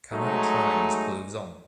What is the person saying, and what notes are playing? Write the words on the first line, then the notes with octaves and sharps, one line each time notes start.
Can I try these clothes on?
F#3 G#3 A3 D#4